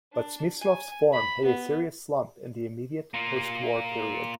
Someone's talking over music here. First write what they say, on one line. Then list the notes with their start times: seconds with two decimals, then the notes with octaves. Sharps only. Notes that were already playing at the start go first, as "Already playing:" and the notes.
But Smyslov's form hit a serious slump in the immediate post-war period.
0.13 D4
0.59 G#5
1.13 B5
1.46 B3
3.14 A#3 F4